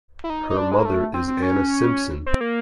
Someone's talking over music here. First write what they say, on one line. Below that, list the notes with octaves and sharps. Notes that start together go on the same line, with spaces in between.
Her mother is Anna Simpson.
E4
D#4
D#4
D4
G#3
A#3
A3
C4
C4
C#4
C4
A#3